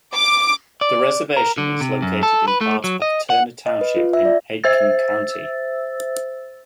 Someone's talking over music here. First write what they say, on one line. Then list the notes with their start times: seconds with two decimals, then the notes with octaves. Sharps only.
The reservation is located in part of Turner Township in Aitkin County.
0.14 D6
0.81 D5
1.37 A#4
1.58 D3
1.81 C3
2.02 F#2
2.23 A4
2.48 B4
2.61 A3
2.84 F#3
3.02 D#5
3.30 F#5
3.66 D#5
3.81 B4
3.96 F4
4.13 E5
4.25 D5
4.64 C5 E5 E6 A6